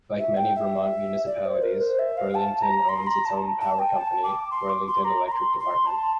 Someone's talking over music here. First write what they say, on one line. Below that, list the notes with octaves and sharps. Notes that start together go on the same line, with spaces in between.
Like many Vermont municipalities, Burlington owns its own power company, Burlington Electric Department.
E5
G5
E5
D5
C5
A#4
C5
E5
F5
A5
A#5
C6
A#5
A5
A5
G5
A5
D6
C6
D6
C6
A#5
A#5
C6
C6
A5